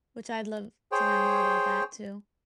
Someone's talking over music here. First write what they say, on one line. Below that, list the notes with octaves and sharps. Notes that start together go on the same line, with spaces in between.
which I'd love to learn more about that too.
G#4 C5 C#5 G5